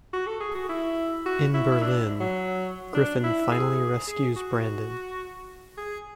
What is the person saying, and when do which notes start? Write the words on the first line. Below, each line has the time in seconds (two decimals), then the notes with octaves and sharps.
In Berlin, Griffin finally rescues Brandon.
0.13 F#4
0.27 A4
0.40 G#4
0.54 F#4
0.69 E4
1.26 F#4
1.54 E4
1.72 E4
1.82 D4
2.20 F#3
2.94 D4
3.24 E4
3.51 G#4
4.07 G#4
4.36 F#4
5.78 G#4